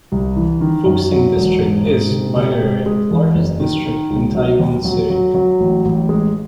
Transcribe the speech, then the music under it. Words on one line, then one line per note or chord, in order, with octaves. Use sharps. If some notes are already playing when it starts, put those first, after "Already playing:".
Fuxing District is, by area, the largest district in Taoyuan City.
C2
E3
D#3
F#2
F#3
E1
G#2
G#2
C3
C3
G#3
G#3
E2
F#1
D#3
D#3
C#2
F#3
D#2
F#3
F#3
F#3
A1
A1
G#3